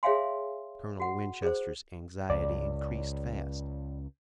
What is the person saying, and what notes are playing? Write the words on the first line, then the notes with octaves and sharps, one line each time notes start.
Colonel Winchester's anxiety increased fast.
G#4 C#5 E5 F5 G#5 C6
F#4 F#5
G#4 C5
C#2 D5